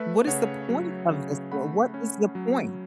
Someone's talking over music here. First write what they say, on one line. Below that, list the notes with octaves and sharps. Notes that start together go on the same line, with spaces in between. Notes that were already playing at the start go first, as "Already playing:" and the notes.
What is the point of this war, what is the point?
Already playing: A3 B4 E5
C#3 C#5 F#5
F#3
C#3
A3 F#5 B5
C#4
F#3